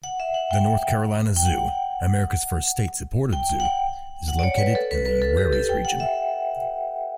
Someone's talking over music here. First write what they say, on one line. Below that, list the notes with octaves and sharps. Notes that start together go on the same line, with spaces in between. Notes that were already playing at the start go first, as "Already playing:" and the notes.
The North Carolina Zoo, America's first state-supported zoo, is located in the Uwharries region.
F#5
E5
F#5
G5
G5
F#5
G5
G5
F#5
G5
F#5
D5
C#5
B4
A4
B4
B4
A4
G4
A4
G5
F#5
E5